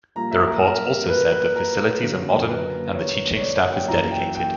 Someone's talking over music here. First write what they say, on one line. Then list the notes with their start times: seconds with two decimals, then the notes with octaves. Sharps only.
The report also said the facilities are modern and the teaching staff is dedicated.
0.15 A#1 A#2 G3 A#3 A#5
0.31 E5
0.47 A#4
0.63 A#4
1.09 B4
1.32 B4
1.56 A#4
2.02 F#1 F#2 D3 F#3 A#3
2.48 B4
2.95 C#5
3.33 C#5
3.41 D5
3.57 F#5
3.72 G5
3.88 F#2 E3 A#3 A#5
4.11 G5
4.35 G5